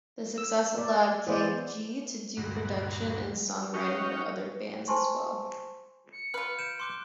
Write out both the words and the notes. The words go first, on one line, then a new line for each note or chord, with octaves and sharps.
The success allowed K-Gee to do production and songwriting for other bands as well.
E6
D5
E3 B3 E4 C5 D5
D2 G2 A#2 F#4
C#4 D#4 F#4 C#5 F5 G5
C5 G#5 A5 C6 C#6
C#7
F4 B4 F6
G6 D7 E7
C6 D6 F#6